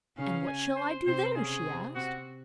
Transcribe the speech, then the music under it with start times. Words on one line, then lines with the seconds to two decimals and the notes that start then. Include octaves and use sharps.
'And what shall I do there?' she asked.
0.17 C#3 C#4 F5
0.47 G#5
0.77 C5
1.07 C3 C4 C5
1.36 C#3 C#4 G#4
1.65 C3 C4
1.95 C3 C4 F#4